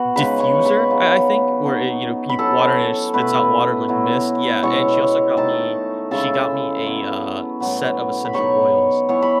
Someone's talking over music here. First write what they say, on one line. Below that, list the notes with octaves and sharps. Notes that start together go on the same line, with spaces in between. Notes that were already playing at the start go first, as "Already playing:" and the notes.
diffuser, I I think? W where, you know, peep water and it spits out water like mist, yeah, and she also got me she got me a, uh, set of essential oils,
Already playing: B3 F#4 F#5
C#3 G#3 D#4 B4 B5
C#5 C#6
B4 B5
C#3 F#3 B3 D#4
F#3 B3 D#4
B5
F#3 C#4 E4 A4 A5
B2 A3 E4 B4 B5
B2 F#3 B3 E4
B2 G#3 C#4 E4 C#5 C#6
D#3 A3 D#4 A4 A5
C#3 G#3 C#4 E4 A4 A5
F#3 B3 E4
A2 F#3 B3
B5
B2 F#3 B3 D#4 C#5 C#6
E3 B3 E4 C#5 C#6
B5